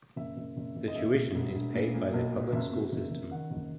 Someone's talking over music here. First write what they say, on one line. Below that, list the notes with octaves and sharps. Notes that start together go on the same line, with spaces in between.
The tuition is paid by their public school system.
F#1 E5
F#1
F#1
F#1
D#5
D#2 E5
E1
E1
E1
A#2
A#2
B1
A#2
F#1 E5
B2
F#1
F#1
D#3 F#5
F#1